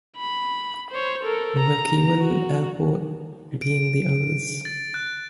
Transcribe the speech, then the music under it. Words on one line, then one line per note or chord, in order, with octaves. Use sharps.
McEwen Airport being the others.
B5
C5 C#5
A4 A#4
A#5
F#4
D7
A6
F#6